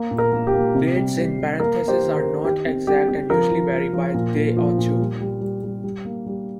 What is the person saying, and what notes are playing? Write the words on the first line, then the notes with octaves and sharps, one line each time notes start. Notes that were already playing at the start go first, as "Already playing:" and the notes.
Dates in parentheses are not exact and usually vary by a day or two.
Already playing: A#3
A#2
A#4
A#3
G4
A#3
C3
G3
G3
G3
A#3 A#4
A#3
G4 C5
D#3
A#4
D#3
D#3 G4
C4
G3 G4
C4 G4
F3 A#4
F3
F3
F3
A#2
A#2
F3
A#2
G3
G3
G3
G3
G3
A#3
G3